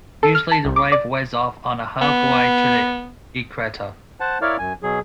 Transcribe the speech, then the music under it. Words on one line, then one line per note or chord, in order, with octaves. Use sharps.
Usually the Wave wears off on a half way to the equator.
A4
F6
A5
C2
D6
D5
B3
C5 F#5 A5
E4 A#4 C#5 D5 F5
F#2 G#5
B2 F#3 G#4